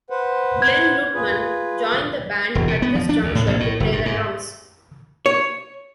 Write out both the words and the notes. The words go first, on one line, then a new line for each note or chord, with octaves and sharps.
Glen Luttman joined the band at this juncture to play the drums.
B4 C5 F#5
G#6
F4 G#4 B4
E1
C3
B3
F3
D4
D2
A2
A#1
A2
F#1
G2
G#2
C#5